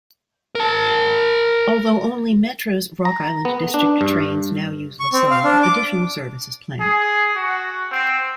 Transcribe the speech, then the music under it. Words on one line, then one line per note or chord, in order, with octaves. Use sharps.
Although only Metra's Rock Island District trains now use LaSalle, additional service is planned.
A#4 A5
A#5
B3
D4
G2
C#6
C4
F5
D4
D6
G#4
F#4
C4